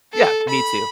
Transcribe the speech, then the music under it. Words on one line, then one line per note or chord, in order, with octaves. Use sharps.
Yeah, me too.
A4
B5